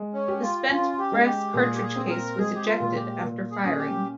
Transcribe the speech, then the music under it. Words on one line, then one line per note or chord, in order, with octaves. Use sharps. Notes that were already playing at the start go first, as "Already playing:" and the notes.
The spent brass cartridge case was ejected after firing.
Already playing: G#3
C#4
G4
F4
C#4 F4
G4
G#3
G4
A#2 G#4
G4
G#4
C4
G#4
A#4
G#3 G#4
G4
F4
A#2
G4
A#2
G#4
C#4
G4